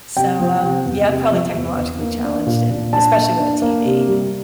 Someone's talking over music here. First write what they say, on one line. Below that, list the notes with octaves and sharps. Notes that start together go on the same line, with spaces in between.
So, um, yeah, I'm probably technologically challenged and especially with the TV.
C3 G5
F3
C3
E2
C3
F3
E2
E2
A#3
D4
A#2
A#2
D4 A5
A#3
D4
A#3
C3
G3